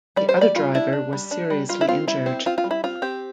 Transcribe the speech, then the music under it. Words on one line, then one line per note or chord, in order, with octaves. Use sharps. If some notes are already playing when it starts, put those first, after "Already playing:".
The other driver was seriously injured.
G3 D5
C5
G3 D5
G3 F4
D4 E4
D4
G3
D4
G3
G3 F4
E4
C4 F4
G3 E4
C4
C4 F4
F4
G3
E4
C4 F4
C4 G4